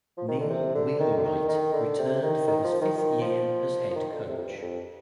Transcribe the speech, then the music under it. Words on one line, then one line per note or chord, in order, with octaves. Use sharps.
Neil Wheelwright returned for his fifth year as head coach.
F3
D#3
D3
C3
D3
D#3
D3
D#3
D#3
D3
C3
D#3
D#3
F3
D#3
D#3
F3
F3
D#3
D3
C3
F2
G2
F2